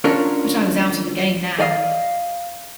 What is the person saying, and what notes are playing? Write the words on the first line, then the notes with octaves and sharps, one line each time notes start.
But I was out of the game now.
C#4 D4 F4 A#4 C#5
D5 D#5 F5